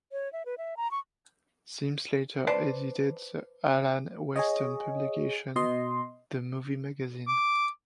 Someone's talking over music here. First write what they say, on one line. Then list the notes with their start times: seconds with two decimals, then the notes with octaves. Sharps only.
Sims later edited the Alan Weston publication "The Movie Magazine".
0.12 C#5
0.33 E5
0.46 B4
0.58 E5
0.77 A#5
0.91 C#6
2.47 B4 C5 D5 A5
4.36 G#4 C#5 D#5
5.56 B2 D#5 C6
7.28 D6